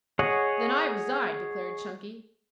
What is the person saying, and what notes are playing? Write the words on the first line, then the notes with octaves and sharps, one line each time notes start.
"Then I resign," declared Chunky.
G#4 C#5 D#5 F#5